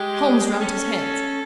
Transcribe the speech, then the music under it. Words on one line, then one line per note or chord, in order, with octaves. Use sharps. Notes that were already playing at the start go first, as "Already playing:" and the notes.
Holmes rubbed his hands.
Already playing: G#3 G4
C#4 A4